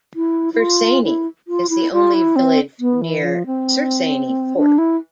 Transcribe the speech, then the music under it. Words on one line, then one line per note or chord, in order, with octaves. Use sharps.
Bersaini is the only village near Sersaini Fort.
E4
E4
F4
E4
F4
E4
F4
E4
C4
B3
E3
F3
C4
D4
E4